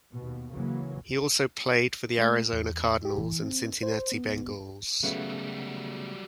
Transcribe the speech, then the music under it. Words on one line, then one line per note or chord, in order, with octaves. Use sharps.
He also played for the Arizona Cardinals and Cincinnati Bengals.
D#2 B2
C#3 E3 F#3 A#3
A3
E2
G4
E3
C4
C5
B3
C#3 F#3 G3 A3 B3